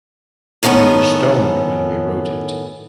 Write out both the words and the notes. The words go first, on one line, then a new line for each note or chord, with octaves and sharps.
We were stoned when we wrote it.
A2 D#3 B3 C#4 A4